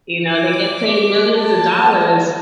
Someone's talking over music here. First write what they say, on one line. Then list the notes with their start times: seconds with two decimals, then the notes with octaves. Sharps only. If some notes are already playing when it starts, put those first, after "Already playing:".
you know, they get paid millions of dollars
0.33 D6
1.37 A5